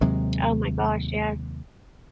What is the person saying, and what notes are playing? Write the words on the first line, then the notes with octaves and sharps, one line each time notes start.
Oh, my gosh, yeah.
D#2 C3 F#3 G#3